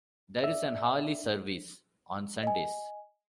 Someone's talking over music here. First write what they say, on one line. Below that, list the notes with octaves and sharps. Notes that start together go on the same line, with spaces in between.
There is an hourly service on Sundays.
D5 E5
D#5 G#5